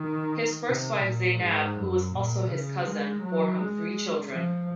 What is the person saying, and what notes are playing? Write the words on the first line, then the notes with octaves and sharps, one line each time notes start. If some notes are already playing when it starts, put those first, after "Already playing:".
His first wife Zeynab, who was also his cousin, bore him three children.
Already playing: D#3
C3
A#2
G#2
F#2
A#2
C#3
G#3
F#3
G#3
F3